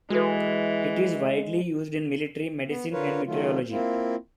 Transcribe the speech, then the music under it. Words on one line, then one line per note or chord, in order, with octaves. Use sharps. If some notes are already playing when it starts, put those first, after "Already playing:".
It is widely used in military, medicine, and meteorology.
E3 G#3 F#4 A4 B4
B3
D3 F4 A#4 B4 C#5
D#3 F#3 A3 F4
A#3 C4 E4 F4